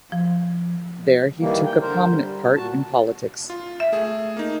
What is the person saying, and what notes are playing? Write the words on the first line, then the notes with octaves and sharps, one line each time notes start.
There he took a prominent part in politics.
F3
D#3 E3 G3 A#3
G5
D3 A#4 C5
G3
A#2 F#4 A5
F4
E5
A3 G#4
A#3 D#4